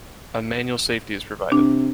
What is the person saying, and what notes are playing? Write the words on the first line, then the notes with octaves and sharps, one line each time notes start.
A manual safety is provided.
C3 D4